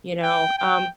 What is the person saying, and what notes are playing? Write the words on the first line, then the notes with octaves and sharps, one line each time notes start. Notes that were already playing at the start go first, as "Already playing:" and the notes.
you know, um,
G5
G5